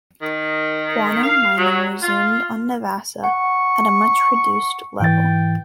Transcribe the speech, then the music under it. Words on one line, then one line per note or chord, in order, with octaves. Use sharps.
Guano mining resumed on Navassa at a much reduced level.
D#3
F5
F#3
F4
F#5 C#6
G#2 E3 G5 A6